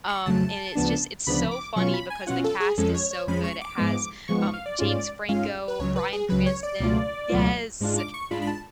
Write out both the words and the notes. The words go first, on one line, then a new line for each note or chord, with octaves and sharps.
um, and it's just it's so funny because the cast is so good. It has, um, James Franco, Bryan Cranston yes,
C#6
F2 C#3 F#3 A3 A5
D2 C#3 F3 B3 D4
D2 C#3 F3 B3 D4 B5
D6
B2 F#3 C#4 F4 C#6
B5
G#5
B2 F#3 C#4 F4 F#5
A4
G#4
F2 F3 G#3 C#4 A4
C#5
C#5
F2 F3 G#3 C#4 B5
C#6
D6
G#2 F3 G#3 B3
G#2 F3 G#3 B3 C#6
C#6
F5
D5
G#2 G#3 C#4 F4
G#2 G#3 C#4 F4 F5
B4
C#2 C#3 F#3 C#5
B4
G#4
C#2 C#3 F#3 B4
C#5
D5
C#2 B2 F#3 A3 F4
C#2 B2 F#3 A3 F4
G#2 G#3 D4 F4
D6
C#6
G#2 G#3 D4 F4 B5
B5
A5